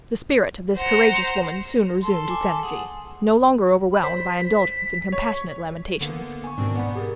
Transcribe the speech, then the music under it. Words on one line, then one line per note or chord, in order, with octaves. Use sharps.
The spirit of this courageous woman soon resumed its energy, no longer overwhelmed by indulgence in compassionate lamentations.
C5 F#5 A#5
A4 C6
G#5 D6
G#4 F#5
B5
C5 B6
C#5
D3 A#3 B3
G#5 C#6
G#2 B2 D#3 C4 D4
G#2 B3 D5 F#5 B5
G4 G#4 A#4